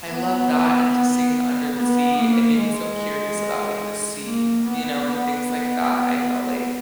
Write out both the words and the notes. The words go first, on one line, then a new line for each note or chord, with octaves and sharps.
I love that and just seeing the under the sea, it made me so curious about, like, the sea, you know, and things like that, I felt like
B3
B3
A#3
G#3
A#3
B3
B3